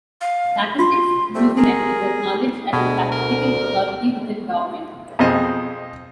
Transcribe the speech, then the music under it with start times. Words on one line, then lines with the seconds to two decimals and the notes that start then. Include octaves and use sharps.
Statistics New Zealand is acknowledged as the statistical authority within government.
0.21 F5
0.79 F4 C6
1.35 G3 A3 C4 E5
1.57 G#4 A#4
2.73 D2 B2 G#3
3.12 A#4
5.19 F2 B2 C4 G#4 C5 D#5